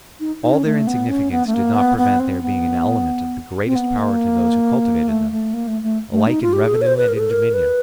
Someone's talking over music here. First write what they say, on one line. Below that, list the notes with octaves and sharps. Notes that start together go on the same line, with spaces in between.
All their insignificance did not prevent their being an element of the greatest power to those who cultivated them, alike in revenue and in dominion.
D#4
D#4
C#4
A3
B3
C#4
B3
A3
A#3
B3
B3
C4
B3
C4
B3
A#3
A3
A3
A#3
A3
A3
A3
D#4
F4
G4
G#4
A4
C#5
C5
B4
A#4
G#4
A4
A#4
B4